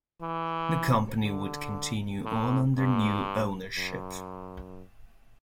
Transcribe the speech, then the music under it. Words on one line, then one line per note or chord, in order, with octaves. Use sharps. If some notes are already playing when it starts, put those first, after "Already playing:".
The company would continue on under new ownership.
E3
D3
A2
G2
F#2